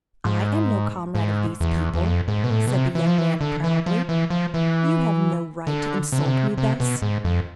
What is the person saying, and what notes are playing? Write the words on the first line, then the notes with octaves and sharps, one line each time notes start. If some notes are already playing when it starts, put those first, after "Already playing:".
"I am no comrade of these people," said the young man, proudly, "you have no right to insult me thus."
G#2
G#2
E2
E2
F2
G#2
B2
A2
B2
C3
E3
F3
E3
D3
E3
F3
E3
F3
E3
D3
C3
D3
C3
C3
B2
G#2
F2